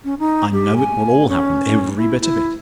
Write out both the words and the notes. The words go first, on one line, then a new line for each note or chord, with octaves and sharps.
I know it will all happen- -every bit of it.
C#4
D#4
G4
G#5
C#4
E4
E4